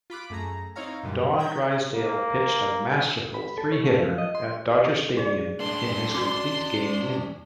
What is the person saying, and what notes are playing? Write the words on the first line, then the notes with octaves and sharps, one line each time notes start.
Don Drysdale pitched a masterful three-hitter at Dodger Stadium in his complete-game win.
F4 B5 D6 F#6
F#2 A3 G#4 A#5
C4 D#4 E4 C#5 F5 A#5
F#2 A#2 D3 G3
G5 A#5 B5 G6 G#6
A#3
B5
A4
C#5
A3
F3
D#5
C6
G#4 D5
A2 D4 C6
C#4 F#4 D5 D6